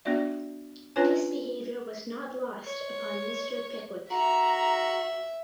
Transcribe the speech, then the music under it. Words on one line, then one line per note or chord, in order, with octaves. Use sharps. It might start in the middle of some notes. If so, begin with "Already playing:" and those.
This behaviour was not lost upon Mister Pickwick.
B3 D4 F#4 D5 E5
C#4 D4 F4 B4 C#5 G#5
C#5
F#4 E5 A#5